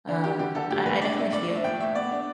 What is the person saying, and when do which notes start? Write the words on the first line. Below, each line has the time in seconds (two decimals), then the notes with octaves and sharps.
um, I I definitely feel
0.08 D3 D4
0.24 D3 G4
0.39 D3 G4
0.55 D3 A4
0.71 A2 G4
0.86 A2 B4
1.01 D4 D5
1.18 D4 E5
1.33 A2 D5
1.49 D4
1.56 E5
1.64 A2 G5
1.80 A3 E5
1.95 B3 D5
2.12 D4